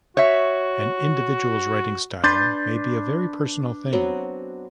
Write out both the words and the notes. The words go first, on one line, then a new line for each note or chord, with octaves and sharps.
An individual's writing style may be a very personal thing.
F#4 C#5 E5
D4 B4 C6 G6 A6
F#3 B3 C4